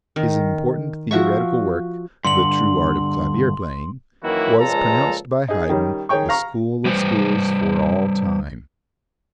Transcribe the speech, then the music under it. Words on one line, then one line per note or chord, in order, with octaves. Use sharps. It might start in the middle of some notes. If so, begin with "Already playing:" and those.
His important theoretical work, "The True Art of Clavier Playing," was pronounced by Haydn the school of schools for all time.
D#3
F3 F#4 E5 C#6
G2 D3 C6 F#7
F#2 D#3 E3 A#3 E4 F#4
C#2 A#2 F3 G#3 A4 A#5
D#4 G#4
D#3 G3 C#4
D#3 G#4 C#5 G5 C#6
F5 A#5 C#6
G3 B4 C5